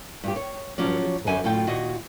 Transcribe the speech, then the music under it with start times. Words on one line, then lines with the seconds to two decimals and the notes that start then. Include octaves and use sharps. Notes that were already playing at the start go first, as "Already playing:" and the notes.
Play with her toys.
0.24 G2 G4
0.36 C#5
0.78 F3 F#3 C#4 D5
1.27 F#2 D3 B4 G#5
1.44 A2 D3 F4 G5
1.67 D#2 A#2 F#4 D#5